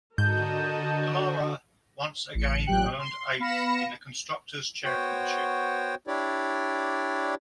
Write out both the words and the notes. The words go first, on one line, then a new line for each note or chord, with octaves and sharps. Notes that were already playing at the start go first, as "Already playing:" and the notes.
Dallara once again earned eighth in the Constructors' Championship.
G#2 D3 F#4 A#4 D#5 A5 G6
A1 C#7
A1 A#2 F#3 G4 G5 F#6
C6
B3 F5 B5 A#6 C#7 E7
B3 F#4 C5 C#5 G5
D4 E4 G4 C#5 D5